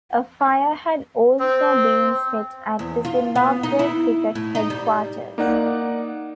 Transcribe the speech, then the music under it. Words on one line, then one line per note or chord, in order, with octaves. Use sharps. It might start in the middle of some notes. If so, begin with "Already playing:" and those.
A fire had also been set at the Zimbabwe Cricket headquarters.
C4
E2
F4
B3
D#4
E4
A2
D#4
G3
A#3 D#4 D5 F#5